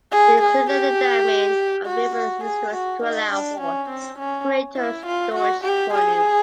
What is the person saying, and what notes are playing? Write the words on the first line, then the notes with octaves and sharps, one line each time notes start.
They included the damming of river estuaries to allow for greater storage volumes.
G#4
G#4
G4
F#4
F#4
G#4
F#4
D#4
D4
C#4
C4
C#4
E4
F4
F#4
G4
G#4